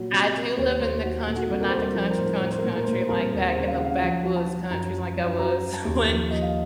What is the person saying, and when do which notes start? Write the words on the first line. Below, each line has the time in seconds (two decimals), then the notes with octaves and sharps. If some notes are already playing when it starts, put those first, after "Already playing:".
I do live in the country, but not the country, country, country, like, back in the backwoods countries like I was when
Already playing: A#2 F#3
0.11 C3
0.35 C3
0.57 D#2 C#5
0.80 D#2 C5
1.03 F#3 F#4
1.26 A#2 A4
1.36 F#4
1.46 C2 A4
1.60 A#4
1.69 C5
1.72 C2
1.77 A#4
1.85 C5
1.94 F3 A#4
2.02 C5
2.10 A#4
2.18 A2 C5
2.27 A#4
2.35 C5
2.41 A2 A#4
2.51 C5
2.59 A#4
2.64 A#2 C5
2.76 A#4
2.84 A#2 C5
2.92 A#4
3.01 C5
3.09 C2 A#4
3.33 D#2 A#4
3.50 C5
3.56 C#3
3.68 F5
3.76 C#3 F#5
3.84 F5
4.01 F3 F#5
4.25 F3
4.36 A5
4.47 F3
4.71 F#2 A#5
4.93 F3
5.16 F#2
5.39 F#3 A#5
5.62 F#3
5.74 A5
5.85 D#2
6.08 F3
6.30 F3 D#5
6.42 F5